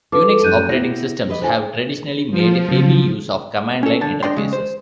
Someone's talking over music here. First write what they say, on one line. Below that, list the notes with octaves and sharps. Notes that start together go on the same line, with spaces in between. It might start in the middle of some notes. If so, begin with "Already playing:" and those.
Unix operating systems have traditionally made heavy use of command-line interfaces.
F4 A4 B4 D6
F#2 G3 F#6 G6 D#7
B3 E4 G4 A#6
G4 B4 D#5
D3 F4 C5 G#5
F3
C#3 F#3
C#4 A4
D3 A5
D4 D5 D#5 G5 C6
C#3 G#3
C5